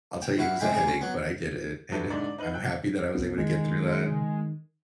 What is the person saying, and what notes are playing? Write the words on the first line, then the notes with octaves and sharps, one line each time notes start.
I'll tell you, it was a headache, but I did it. And I'm happy that I was able to get through that.
G5
E4 F#4 F5
C3 G#3 G5 B5
G3 G#4
C#4
F#3 B3
F#3 D4 E4 G4 A4 B4
C2 G#2 D3 D#4 A#4 D5
D5
D#4 B4 F#7
G5 E6 F#6 G6
C2 B3
D#3 G#3